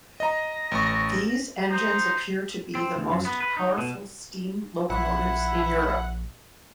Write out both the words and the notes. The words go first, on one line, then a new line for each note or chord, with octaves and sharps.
These engines appear to be the most powerful steam locomotives in Europe.
D#5 A#5 A#6
A1 C#6
D#4 C5 A#5
C4
D2
F#2
B3
B4
D#4
B2
A#1 E4 F#5